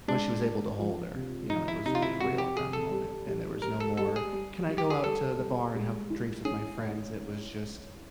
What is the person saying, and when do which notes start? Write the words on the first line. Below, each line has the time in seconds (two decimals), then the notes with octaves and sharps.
When she was able to hold her, you know, it was it was real at that moment. And there was no more, “Can I go out to the bar and have drinks with my friends?" It was just,
0.08 G#3 D4
0.44 G#3
0.79 F3
1.15 C3
1.50 F3 D#4
1.68 E4
1.85 C3 D#4
1.95 F4
2.02 E4
2.21 C3 F#4
2.38 G4
2.56 C3 G#4
2.73 A4
2.92 G3
3.27 G3
3.62 G3 A#4
3.80 A4
3.97 G3 A4
4.16 G#4
4.33 G3
4.69 G3
4.78 G4
4.90 G#4
5.04 G3 A4
5.39 G3
5.75 G#3
6.10 E4
6.45 C#4 G#4